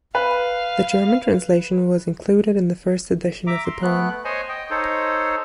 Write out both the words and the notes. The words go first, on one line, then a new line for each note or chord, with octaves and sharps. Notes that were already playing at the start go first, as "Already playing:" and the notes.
The German translation was included in the first edition of the poem.
B4 F5
E5 A#5 D6
C6
A3 B3 F#6
C5 C#5 D#5 G#5
D#5 G5
D#4 A4 C5 C#5